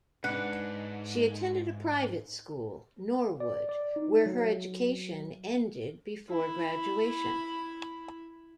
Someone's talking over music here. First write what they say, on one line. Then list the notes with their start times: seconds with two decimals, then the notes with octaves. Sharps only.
She attended a private school, Norwood, where her education ended before graduation.
0.24 G#2 D4 B4 F#5
3.40 D5
3.69 D5
3.96 D#4
4.26 F#3
6.30 E4 B5